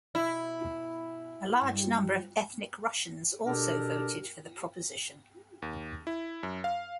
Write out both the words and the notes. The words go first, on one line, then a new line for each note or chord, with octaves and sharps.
A large number of ethnic Russians also voted for the proposition.
B2 E4
G2
B2 D4 G4 A4 A#4
D#2
E4
F#2
F5